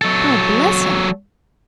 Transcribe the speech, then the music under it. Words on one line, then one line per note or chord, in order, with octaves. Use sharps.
God bless him!
F#3 A4